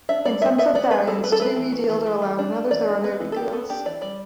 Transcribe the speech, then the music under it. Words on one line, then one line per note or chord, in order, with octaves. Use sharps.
In some sub-variants, two redeals are allowed, in others, there are no redeals.
D4 E5
G3 D5
B3 E5
B3 E5
B3 D5
B3 B4
G3 A4
G3 B4
A4
A3 B4
E3
A3
E3
A3
E3
D4
A3
E3 D5
D4
B3 B4
E3
A4
B3 G4
B3 A4
D4 G4
E3 D5
G3 D5